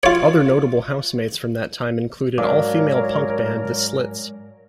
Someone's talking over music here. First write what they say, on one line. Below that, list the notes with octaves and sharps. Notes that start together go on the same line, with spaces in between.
Other notable housemates from that time included all female punk band The Slits.
F4 C#5
G#2 F#3 D4 A#4 C#5 D5 F5 D6